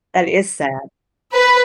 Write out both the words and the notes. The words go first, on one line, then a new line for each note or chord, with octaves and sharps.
That is sad.
B4